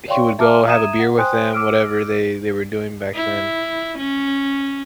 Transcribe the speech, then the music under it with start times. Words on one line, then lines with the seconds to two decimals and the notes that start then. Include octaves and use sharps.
he would go have a beer with them, whatever they they were doing back then,
0.08 C#5 D5 F5 G5 C6 C#6
0.39 E5 A5 A#5 D6 F6
0.67 E5 A#5 D#6 G#6 D#7 E7
0.99 F#5
1.18 C5 G5 G#5 C6 D#6 F#6
1.53 D6 E6 F6 D7
3.14 E4
3.98 C#4